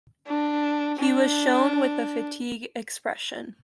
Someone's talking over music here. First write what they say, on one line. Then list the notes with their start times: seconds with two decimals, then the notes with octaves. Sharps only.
He was shown with a fatigued expression.
0.27 D4
0.98 D4